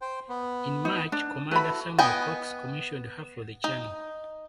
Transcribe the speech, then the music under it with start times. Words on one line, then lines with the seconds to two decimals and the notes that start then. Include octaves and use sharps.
In March Commander Samuel Cox commissioned her for the Channel.
0.02 C5 G5
0.29 B3
0.85 D#4
1.12 D4
1.51 E4 F#4 A4 B4 B5
1.99 B3 D#5 G5 G#5
3.64 D#4